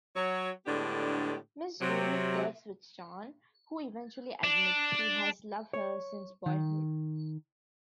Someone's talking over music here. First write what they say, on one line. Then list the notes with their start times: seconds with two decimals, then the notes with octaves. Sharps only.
Miss Julie flirts with John, who eventually admits he has loved her since boyhood.
0.15 F#3 C#5
0.66 A2 D3 G#3 B3 D4 G4
1.81 C3 F#3
4.44 D4
5.73 C#5
6.46 D#3